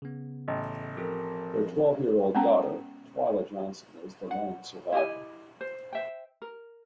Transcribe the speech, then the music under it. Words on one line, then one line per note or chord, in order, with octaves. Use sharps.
Their twelve-year-old daughter, Twila Johnson, was the lone survivor.
C#3 B3
A1 D#5 G5
F3 C4 G4 A4 A#4
G#3 B3 C#4 G5 A5 A#5
F#5
E4 G4 D#5 G#5
C5
C5 E5 G5
A#4